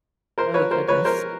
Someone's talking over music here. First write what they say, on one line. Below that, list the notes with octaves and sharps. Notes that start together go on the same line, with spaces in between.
Oh goodness.
A#4 C5
B4 C#5
A#4 C5
B4 C#5
A#4 C5